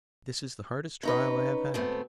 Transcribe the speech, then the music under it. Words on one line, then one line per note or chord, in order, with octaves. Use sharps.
'This is the hardest trial I have had.
C#4 D#4 B4
D2 G#2 A3 B3 C4